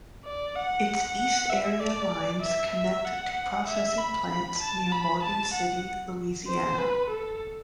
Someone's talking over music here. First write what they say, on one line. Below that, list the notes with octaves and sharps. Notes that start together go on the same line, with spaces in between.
Its East Area lines connect to processing plants near Morgan City, Louisiana.
D5
F#5
F#5
E5
D5
E5
E5
F#5
E5
B5
A5
B5
A5
F#5
C5
B4
A4